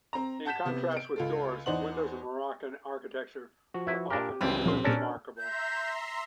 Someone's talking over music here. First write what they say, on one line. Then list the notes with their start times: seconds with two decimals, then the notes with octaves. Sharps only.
In contrast with doors, windows in Moroccan architecture are often unremarkable.
0.13 C4 A#5
0.45 F#5 A5 G6 B6 E7
0.65 C3 B3
0.97 D7
1.16 C#2 F4 A4
1.66 E2 D#4 C5 D5 F#5 F#7
3.74 F3 F#4
3.87 E4 B4
4.10 A#2 D4 G4 A#4
4.41 C#2 F#2 E3 G3 C4
4.66 A#1 F3 A#4 C6
4.84 A#2 C#4 D4 A4 A#4 C#5
5.38 E5 A#5 C6 G6